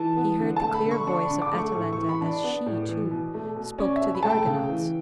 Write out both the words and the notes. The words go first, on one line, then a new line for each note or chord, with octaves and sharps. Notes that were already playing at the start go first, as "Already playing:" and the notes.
He heard the clear voice of Atalanta as she, too, spoke to the Argonauts.
Already playing: E3 A5
B3
D3
A5
A3
B5
D3
C#6
D4 C#6
B5
D3
D6
A3 C#6
A2 C#6
C#6
E3
B5
D4 D5
B3
A2
E3
B2
A3
B2
C#4 D5
E5
B2
B5
A3 A5
G5
C#3
E3